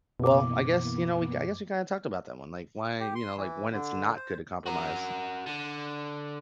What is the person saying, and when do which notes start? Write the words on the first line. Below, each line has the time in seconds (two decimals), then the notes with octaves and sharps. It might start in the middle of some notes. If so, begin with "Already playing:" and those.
well, I guess, you know, we I guess we kinda talked about that one, like, why, you know, like, when it's not good to compromise?
0.20 F#2 B2 E3 A#3 B3 D6
3.00 G4
3.15 C6
3.37 E3
3.72 D3
4.17 C5
4.66 F#4 A#4
5.46 D3